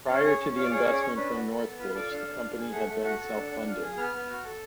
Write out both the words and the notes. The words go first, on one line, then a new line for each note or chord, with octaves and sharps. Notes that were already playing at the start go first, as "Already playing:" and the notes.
Prior to the investment from North Bridge, the company had been self funded.
C#4 F5
G#4 C#5
C#4
F4 C#5
D5
G#4 C#5
D5
C#4 C#5
D5
C#4 C#5
D4 B4
F#4
A4
B3
F4 B4
A4 D5
D4 F5
D4
F4
G#4
A3 F#5
A3
F#4 F#5
A4
D4
D4
F4
G#4
B3 F6
B3
F#4
A4